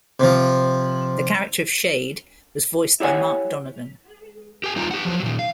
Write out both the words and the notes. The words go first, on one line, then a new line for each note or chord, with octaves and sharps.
The character of Shayde was voiced by Mark Donovan.
C3 F3
E4 G4 C#5 F#5 G#5
G4 G#5
G3 D#4 F4 A#5
G4 F#5
F3 F#3
A#2 D#3
F5